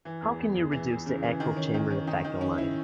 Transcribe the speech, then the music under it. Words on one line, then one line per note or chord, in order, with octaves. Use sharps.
How can you reduce the echo chamber effect online?
E3
E2
E2
E2
E3
E3
C#3
E3
D#3
C#4
D#3
C#4
D#3
D#3
C#4
E4